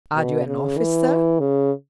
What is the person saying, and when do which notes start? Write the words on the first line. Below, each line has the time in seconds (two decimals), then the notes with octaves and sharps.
"Are you an officer?"
0.15 B2
0.46 C#3
0.78 E3
1.39 C#3